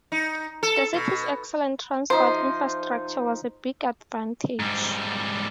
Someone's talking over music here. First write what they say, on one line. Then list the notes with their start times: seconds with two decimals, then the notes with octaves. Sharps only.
The city's excellent transport infrastructure was a big advantage.
0.12 D#4
0.63 A4
0.94 B2
2.10 F3 D#4 C5 E5
4.60 G#2 G3